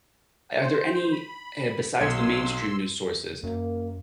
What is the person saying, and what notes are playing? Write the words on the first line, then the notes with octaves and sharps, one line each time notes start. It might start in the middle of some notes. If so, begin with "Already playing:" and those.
are there any, uh, besides the mainstream news sources,
C5
B5
B1 C6 E6 G#6 C#7
F#2 A#3